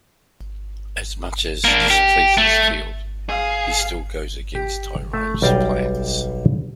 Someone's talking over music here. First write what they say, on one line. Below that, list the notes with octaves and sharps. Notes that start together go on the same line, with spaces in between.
As much as this pleases Field, he still goes against Tyronne's plans.
A#3 D4
G4
A3
G#4 F5
G4
A3
B1 G3 D5 D#5 F5 G5